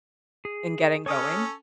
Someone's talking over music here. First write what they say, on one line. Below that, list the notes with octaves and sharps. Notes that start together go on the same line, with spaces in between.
and getting going.
G#4
C#4 A4 C#5 D#6 F6